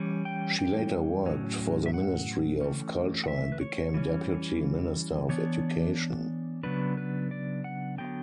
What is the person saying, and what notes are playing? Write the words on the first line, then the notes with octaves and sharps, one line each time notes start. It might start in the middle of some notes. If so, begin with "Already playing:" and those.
She later worked for the Ministry of Culture and became Deputy Minister of Education.
Already playing: E3 G3 C#4
G5
G5
A2 F#3 C#4
E5
F#5
E3 A3 C#4
F#5
E5
B4
C#5
E3 G3 C#4
E3 B3 D4 C#5
C#3 F#3 B3 D4 B4
B4
D5
F#5
D3 F#3 B3 G5